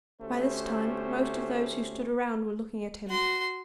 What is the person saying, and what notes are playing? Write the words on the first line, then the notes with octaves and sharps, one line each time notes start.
By this time most of those who stood around were looking at him.
D2 A3 C#4 G4 C5
F#4 C6